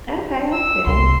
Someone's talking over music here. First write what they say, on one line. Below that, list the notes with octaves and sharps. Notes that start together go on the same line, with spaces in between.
Okay, that's good.
E6
C2 C6